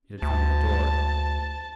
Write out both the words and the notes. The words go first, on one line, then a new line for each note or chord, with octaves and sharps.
It had found the door!
D2 A5